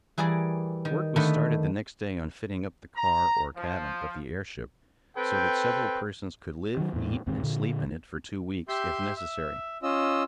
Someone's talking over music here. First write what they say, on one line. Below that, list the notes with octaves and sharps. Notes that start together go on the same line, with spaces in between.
Work was started the next day on fitting up the car, or cabin, of the airship, so that several persons could live, eat and sleep in it for two weeks, if necessary.
E3 G3 G#4 A#4 D5
D#3
D3 D#3 A3 B3
A#5
F3
C4 A4 B4 G5
D#3 F#3
E2 A2
E1 D#2 G#2 C4
A#2 D3
G4 E5 C6 G6
E5
C#4 F4 D#5 E6